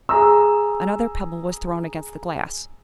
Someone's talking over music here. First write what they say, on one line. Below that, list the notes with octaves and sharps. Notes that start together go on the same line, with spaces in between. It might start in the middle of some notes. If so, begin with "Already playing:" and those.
Another pebble was thrown against the glass.
G#4 A#5 E6